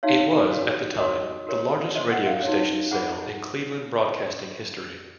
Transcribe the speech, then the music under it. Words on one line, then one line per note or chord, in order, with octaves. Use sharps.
It was, at the time, the largest radio station sale in Cleveland broadcasting history.
D#4 F#4 C#5 F5
F#4 C#5
F#4 A#4 C#5 D#5
F#4 A#4 C#5
F#4 C5 D#5
F#5
F5
D#4 F#4 C#5
F4 G#4 C5 F#5